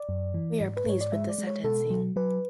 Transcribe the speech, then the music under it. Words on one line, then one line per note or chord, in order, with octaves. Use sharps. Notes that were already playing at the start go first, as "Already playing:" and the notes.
We are pleased with the sentencing.
Already playing: D5
F#2
E3
G#2
B4
G#2 C#5
D5
G#3 E5
D5
G#3
C#5
B2 A4
F#3
F#3 B4